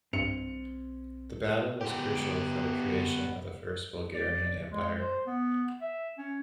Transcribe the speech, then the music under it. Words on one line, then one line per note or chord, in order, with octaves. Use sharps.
The battle was crucial for the creation of the First Bulgarian Empire.
B1 G2 C4 C#7 F7
B3 G4
D5
G#3
C5
B3
E5
C#4